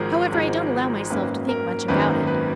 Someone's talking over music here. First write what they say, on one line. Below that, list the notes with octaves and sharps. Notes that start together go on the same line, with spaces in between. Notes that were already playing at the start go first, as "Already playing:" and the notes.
However, I don't allow myself to think much about it.
Already playing: G#1 G#2 F3 G#3 A#4
G#1 G#2 F3 G#3
G#1 F#2 D#3 A#3 C#4 B4
A#4
G#1 F#2 D#3 A#3 C#4 B4
B4